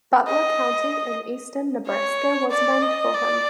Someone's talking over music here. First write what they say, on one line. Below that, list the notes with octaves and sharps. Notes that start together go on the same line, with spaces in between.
Butler County in eastern Nebraska was named for him.
D#5
C#5
D5
D#5
D5